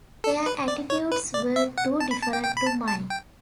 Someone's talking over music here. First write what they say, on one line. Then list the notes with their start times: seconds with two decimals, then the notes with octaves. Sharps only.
Their attitudes were too different to mine.
0.24 A4
0.46 B4
0.68 D5
0.90 C#5
1.12 B4
1.34 D5
1.56 E5
1.78 F#5
2.01 A5
2.11 B5
2.23 A5
2.33 G5
2.44 G5
2.57 B5
2.66 A5
2.88 A5
3.10 G5